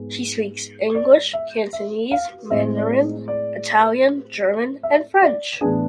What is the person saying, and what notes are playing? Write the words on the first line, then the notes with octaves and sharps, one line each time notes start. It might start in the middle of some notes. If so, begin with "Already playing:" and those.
She speaks English, Cantonese, Mandarin, Italian, German and French.
Already playing: G#2 G#3 B3
D5
E5
E5
F5
A2 G#3 C4 E5
D5
D5
E5
D5
A2 E3 B3 D4 G#4